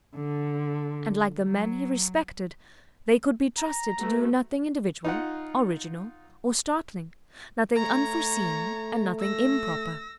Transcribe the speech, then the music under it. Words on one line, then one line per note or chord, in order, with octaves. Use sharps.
And like the men he respected they could be trusted to do nothing individual, original, or startling--nothing unforeseen and nothing improper.
D3
F#3
A#5
A3 B3 F#4
D#4 F4 F#5
A3 C#5 A#5
E6 A#6